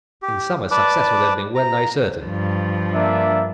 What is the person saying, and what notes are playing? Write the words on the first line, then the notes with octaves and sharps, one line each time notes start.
In summer, success would have been well-nigh certain.
G4
B4 D5 A5 D6
A#5
G2 F3
A#3 D4 E5